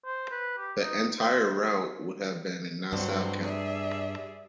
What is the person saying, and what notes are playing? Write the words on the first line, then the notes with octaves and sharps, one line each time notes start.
The entire route would have been in Nassau County.
C5
B4
G4
D#4
C5
G#4
G2 F#3 C4 F#4
G#4 D5 E5